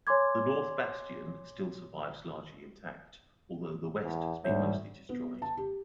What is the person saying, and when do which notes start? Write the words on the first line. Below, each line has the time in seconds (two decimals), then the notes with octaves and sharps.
The north bastion still survives largely intact, although the west has been mostly destroyed.
0.07 C#5 G#5 C6 D6 G#6
4.04 E2
4.44 D2 G#2 G3 C#5 E5
5.09 B3
5.42 A5
5.57 G4